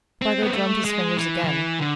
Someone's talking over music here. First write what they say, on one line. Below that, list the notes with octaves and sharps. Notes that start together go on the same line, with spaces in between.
Spargo drummed his fingers again.
C4
B3
A3
G#3
E3
F3
E3
D3